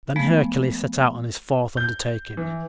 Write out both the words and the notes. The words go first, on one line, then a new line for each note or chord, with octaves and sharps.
Then Hercules set out on his fourth undertaking.
F3 G#3 A3 B3
G6
E3